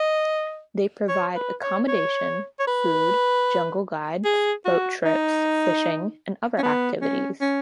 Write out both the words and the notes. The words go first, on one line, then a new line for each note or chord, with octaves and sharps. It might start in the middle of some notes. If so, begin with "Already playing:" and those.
They provide accommodation, food, jungle guides, boat trips, fishing and other activities.
Already playing: D#5
C#5
B4
C#5
C#5
C#5
B4
G#4
F#4
D#4
C#4
B3
C#4
C#4